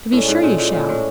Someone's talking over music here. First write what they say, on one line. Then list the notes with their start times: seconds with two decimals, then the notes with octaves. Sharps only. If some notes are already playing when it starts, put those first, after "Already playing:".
"To be sure you shall."
0.12 A2 G#3 C#4 E4 A4 D5
0.28 G#2
0.43 A#2
0.58 A#2
0.74 A#2
0.89 A2